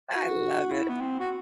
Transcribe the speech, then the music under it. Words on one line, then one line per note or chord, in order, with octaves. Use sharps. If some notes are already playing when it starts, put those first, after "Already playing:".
I love it.
F#4
E4
B3
C4
F#4